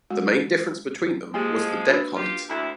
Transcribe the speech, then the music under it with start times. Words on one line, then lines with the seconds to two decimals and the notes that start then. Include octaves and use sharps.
The main difference between them was the deck height.
0.10 G#3 F#4
1.34 F3 G#3 A#3 G4
1.88 D4 F#4 B4
2.16 F4 G4
2.49 D2 E4